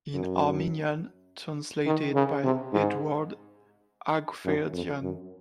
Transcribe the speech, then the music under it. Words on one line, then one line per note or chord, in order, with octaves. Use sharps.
In Armenian, translated by Eduard Hakhverdyan.
F#2
D#3
C#3
C3
G#2
F#2
F2
F#2